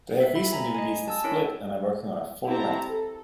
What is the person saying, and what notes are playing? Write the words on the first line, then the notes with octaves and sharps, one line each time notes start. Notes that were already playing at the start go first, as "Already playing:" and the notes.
They have recently released a split and are working on a full-length.
E5
B5
G#5 A#5 B5
D#5 G#5
G#5 A5 E6
C#4 E4 A#4 C#5 D7
C4 E4 G4 A5 A#5
A4